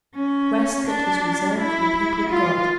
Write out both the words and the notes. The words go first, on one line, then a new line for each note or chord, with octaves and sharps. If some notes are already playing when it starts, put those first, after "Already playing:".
"Rest that is reserved for the people of God."
C#4
D4
E4
F4